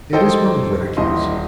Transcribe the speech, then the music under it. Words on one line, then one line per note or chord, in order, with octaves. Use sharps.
"It is miraculous."
A4 C5 D#5 G5
D#1 E3 D#5 C6